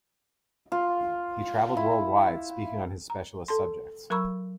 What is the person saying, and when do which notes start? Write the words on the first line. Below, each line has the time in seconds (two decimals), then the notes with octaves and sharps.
He traveled worldwide, speaking on his specialist subjects.
0.72 F4
1.77 E4
3.10 A#5
3.48 A4 A5 C6
4.10 F#3 A#4 A#5 B5 C#6 E6